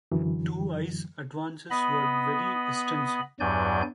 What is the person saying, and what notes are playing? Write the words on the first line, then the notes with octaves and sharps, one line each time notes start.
Two ice advances were very extensive.
F#2 D3 E3 F#3
B3 D#5 B5
E2 G2 F#3 D5 G#5 G6